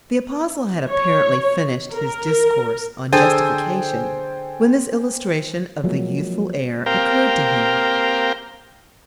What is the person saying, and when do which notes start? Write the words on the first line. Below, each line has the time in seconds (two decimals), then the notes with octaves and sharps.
THE Apostle had apparently finished his discourse on justification when this illustration of the youthful heir occurred to him.
0.88 C#5
1.94 A#4
3.13 D3 G#4 A4 C5 G5 G#5 A6
5.84 F3 F#3 G#3 A#3
6.86 A#3 C4 G4 A#4 F5 G5